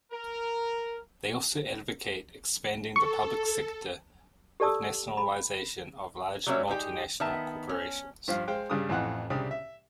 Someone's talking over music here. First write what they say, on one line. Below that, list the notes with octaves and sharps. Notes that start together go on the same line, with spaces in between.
They also advocate expanding the public sector with nationalisation of large multinational corporations.
A#4
A4 C#6
G4 A4 D5 A5 D#6 E6
B5
F#3 G3 A#3 C#4 C#5 E5
G#3 D#4 G4 G5
D#3 B3 E5 A5
C#4
G2 F3 F4 F5
G#3 C5 F5 G5
G2 C#3 G3 D#6
A1 F2 E3 F4 F#5
C2 C#3 D4 G4 D5 D#6
E5